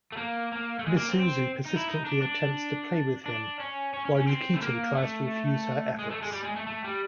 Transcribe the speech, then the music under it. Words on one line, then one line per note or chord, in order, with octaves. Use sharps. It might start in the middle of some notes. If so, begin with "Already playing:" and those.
Misuzu persistently attempts to play with him, while Yukito tries to refuse her efforts.
A3
A#3
A#3
A3
G#3
A#3
C4
C4
D#4
E4
D#4
D4
D4
D4
C#4
C#4
C#4
C#4
C4
A3
A#3
A3
G#3
A3
G#3
G3
G#3
A3
A3
G3